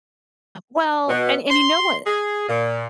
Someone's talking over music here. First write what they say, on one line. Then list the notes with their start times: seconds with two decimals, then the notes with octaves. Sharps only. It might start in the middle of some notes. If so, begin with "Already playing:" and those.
Well, and and you know what,
1.08 B2
1.50 C6
2.07 G#4
2.49 A#2